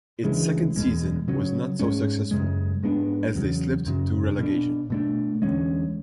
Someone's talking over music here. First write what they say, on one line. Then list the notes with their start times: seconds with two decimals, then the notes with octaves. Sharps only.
Its second season was not so successful, as they slipped to relegation.
0.24 D2 C#3 E3 G#3
0.76 E2 B2 G#3
1.28 C#3 F#3 C#4
1.79 G#2 G#3 C#4
2.31 F#2 C#3 G#3
2.83 G#2 G#3 B3 D4
3.35 E2 C#3 F#3
3.86 F#2 C#3 F#3
4.38 B2 A3
4.43 D4
4.90 B2 A3 D4
5.42 E2 D3 G#3 C#4